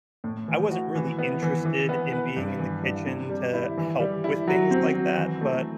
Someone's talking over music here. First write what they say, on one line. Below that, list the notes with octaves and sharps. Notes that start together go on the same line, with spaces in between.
I wasn't really interested in being in the kitchen to help with things like that, but
A2
E3
F#4
E3
B3
E3
E3
B3
B4
G2
E3
G2
C3
G3
E4
E3
G3
E4
F#3
C4
F#3
E3
A3